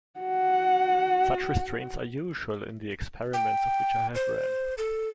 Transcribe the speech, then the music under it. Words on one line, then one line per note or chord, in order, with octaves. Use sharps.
Such restraints are usual in the experiments of which I have read.
F#4 F#5
G5
C5
A4